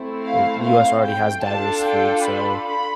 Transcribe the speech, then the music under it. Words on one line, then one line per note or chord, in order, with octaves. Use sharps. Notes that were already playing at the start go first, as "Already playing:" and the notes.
eh, the US already has diverse food, so,
Already playing: A3 C4 E4
F5
F5
G5
D4 F4 A4 A5
G5
B5
B5